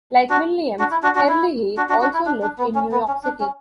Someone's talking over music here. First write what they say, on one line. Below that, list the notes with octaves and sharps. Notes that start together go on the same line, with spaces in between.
Like Williams, Herlihy also lived in New York City.
D4 F#4
D4 F#4
E4
D4 F#4
D4 F#4
E4
D4 F#4
D4 F#4
D4 F#4
E4
D4
D4
B3
C#4
B3
C#4
D4
C#4